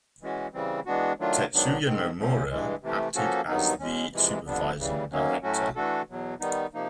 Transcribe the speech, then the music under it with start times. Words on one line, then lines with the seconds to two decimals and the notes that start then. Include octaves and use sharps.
Tetsuya Nomura acted as the supervising director.
0.22 E3 G#3 C#4 F#4
0.54 C#3 E3 G3 C4
0.86 E3 G#3 B3 D4 F#4
1.19 D#3 F#3 A3 D4 F4
1.52 G#2 D#3 F#3 B3 D4
1.85 G#2 D#3 G#3 C4
2.18 D#2 D3 F3 A3 C#4
2.50 G2 E3 G#3
2.82 C3 E3 A3
3.15 F3 A#3 C#4 F#4 A4
3.48 G2 D#3 F#3 B3 D#4
3.80 E2 B2 G#3 C#4
4.12 F2 C3 E3 G#3
4.46 F2 D3 G3 B3 D4
4.78 C#3 E3 G3
5.11 F#2 D#3 F#3 A#3 C#4
5.43 A2 F#3 A3 C#4 F#4
5.76 E3 A3 D4 F#4 A4
6.09 E2 B2 F#3
6.40 D#3 G3 B3 D#4
6.74 C3 F3 A#3 D#4